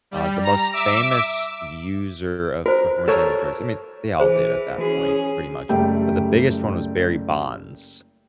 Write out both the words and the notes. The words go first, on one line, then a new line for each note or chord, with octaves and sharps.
Uh, the most famous user of performance-enhancing drugs I mean, they all did at that point, pretty much, but the biggest one was Barry Bonds.
G3
A#5
E5 D6 E6 D7
F#4 A#4 C5
A4 A#4 C#5
E3 G#4 C5
C#4 F#4 G#4
F#1 G3 A3 G5